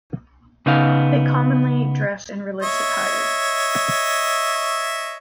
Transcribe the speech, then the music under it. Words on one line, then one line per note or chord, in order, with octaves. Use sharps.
They commonly dress in religious attire.
C#3 B3 D#4 F5
C#5 D#5 E5